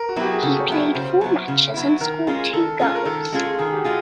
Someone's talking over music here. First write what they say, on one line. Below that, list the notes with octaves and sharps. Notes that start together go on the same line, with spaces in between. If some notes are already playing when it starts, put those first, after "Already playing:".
He played four matches and scored two goals.
Already playing: A#4
F#4
F#3 B3 E4 G4
G#4
C#3 A4
C#5
F#3 B3 E4
C#5
C#3 C5
F#3 B3 E4
C#3
F#3 B3 E4
D#3 A#4
G#3 C#4 F4 G#4
D#3 A4
G#3 C#4 F4 G#4
A#4
D#3 A4
G#3 C#4 F4 G#4
D#3 G#4
G4
F#4
G#3 F4 G#4